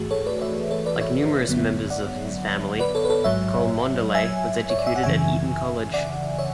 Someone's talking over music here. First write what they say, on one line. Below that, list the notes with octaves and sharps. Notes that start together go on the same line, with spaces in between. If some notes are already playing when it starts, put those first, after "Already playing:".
Like numerous members of his family, Cholmondeley was educated at Eton College.
Already playing: G#2 E3 A3 F#4 G#4
A4 C#5
B4 D5
C#5 E5
A4 C#5
B4 D5
C#5 E5
G#1 F#2 D3 F#3 B3
D5 F#5
B4 D5
A4 C#5
B4
A4 C#5
A1 G#2 F#3 C#5 E5
E5 G#5
C#5
D5
E5
F#5
G#1 F#2 C#3 E3 E5 G#5
D5 F#5
C#5 E5